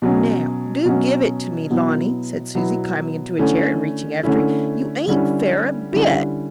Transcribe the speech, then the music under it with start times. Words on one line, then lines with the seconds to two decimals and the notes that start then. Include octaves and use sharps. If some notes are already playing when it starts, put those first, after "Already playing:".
"Now, do give it to me, Lonnie," said Susy, climbing into a chair, and reaching after it; "you ain't fair a bit."
0.02 B2 F#3 C#4
0.85 B2 F#3 C#4
1.70 B2 F#3 B3 E4
2.55 B2 F#3 B3 E4
3.39 D3 A3 C#4 E4
4.23 D3 A3 C#4 E4
5.07 D3 G3 C#4 E4
5.92 D3 G3 C#4 E4